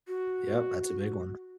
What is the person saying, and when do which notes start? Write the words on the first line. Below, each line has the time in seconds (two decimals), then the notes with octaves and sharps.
Yep, that's a big one.
0.08 F#4